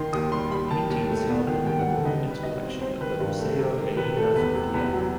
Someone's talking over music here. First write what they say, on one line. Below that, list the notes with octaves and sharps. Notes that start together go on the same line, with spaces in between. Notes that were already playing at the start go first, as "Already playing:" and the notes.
The painting is held in the permanent collection of the Museo Reina Sofia.
Already playing: D#3 D#4 C6
D#2 D#6
G3 C6
D#2 B5
D#3 A5
D#2
A3
B3
D#3
D#2 G5
F#5
G3
A4
D#4 B4
G3
B4
B2 D#5
C4
C4 C5
D#3 B4
G2
A3
C3
D#3
C3 B4
A3 A4
E2 B4
C3
E2 B4
F#3